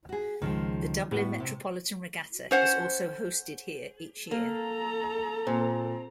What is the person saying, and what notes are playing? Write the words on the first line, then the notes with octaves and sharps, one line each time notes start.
The Dublin Metropolitan Regatta is also hosted here each year.
F#4 G#4
C#2 D#3 F3 G#3
A2 B3 F#4
C3
C#4 C5 F#5
A#3 A4 A#5
A#2 C4